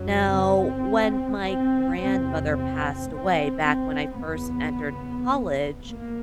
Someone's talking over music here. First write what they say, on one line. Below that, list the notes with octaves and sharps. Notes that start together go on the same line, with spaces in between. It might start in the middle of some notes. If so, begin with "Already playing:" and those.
Now, when my grandmother passed away back when I first entered college,
Already playing: F#2 C#3 F#3
C4
C4
E2 C3 C4
C4
C4
C4
E2 C#3 B3
A#3